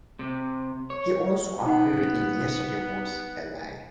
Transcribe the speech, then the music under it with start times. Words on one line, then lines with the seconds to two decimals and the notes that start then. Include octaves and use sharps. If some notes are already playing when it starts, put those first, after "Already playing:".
He also appeared in "Yesterday Was a Lie".
0.19 C3
0.90 C#5
1.66 B3 D#4 F#5